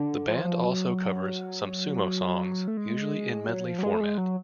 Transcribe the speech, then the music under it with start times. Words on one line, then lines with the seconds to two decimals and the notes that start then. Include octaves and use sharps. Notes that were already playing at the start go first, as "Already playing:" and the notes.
The band also covers some Sumo songs, usually in medley format.
Already playing: D3
0.28 F3
0.64 F#3
2.68 A3
2.77 G#3
3.48 F#3
3.65 F3
3.79 F#3
3.83 G#3
3.94 A3
4.01 G#3
4.18 F#3